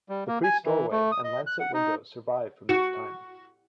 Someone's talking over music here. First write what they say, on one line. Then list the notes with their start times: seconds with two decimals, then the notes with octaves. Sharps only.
The priest's doorway and lancet windows survive from this time.
0.09 G3
0.27 A#3
0.43 G#5
0.65 E3
0.91 A3
1.12 D#6
1.24 D#5
1.47 F#6
1.60 F#5
1.74 D#4
2.69 F#4